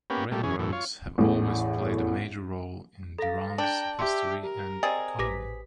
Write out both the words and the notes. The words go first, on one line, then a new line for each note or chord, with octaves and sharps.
Railroads have always played a major role in Durand's history and economy.
A#3 B3 C#4 G4
A#2 G3 A3
E2 C#4 G#4
E2 A2
F4 C#5
A1 E2 A2
A4 F5 A#5 A6 A#6
D4 G5
G4 E5 C6 E6
G4 A#4
C4 G#4 D5 D#5 A6
A1 G4 B4 D6 A#6 B6